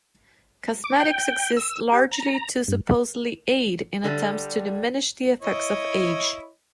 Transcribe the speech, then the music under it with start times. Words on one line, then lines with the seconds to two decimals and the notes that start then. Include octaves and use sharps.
Cosmetics exist largely to supposedly aid in attempts to diminish the effects of age.
0.84 D6
1.00 G5
1.57 E6
1.92 G4
2.12 A#5
2.68 G2
4.04 D3 G3
5.42 E4 C#5 D#5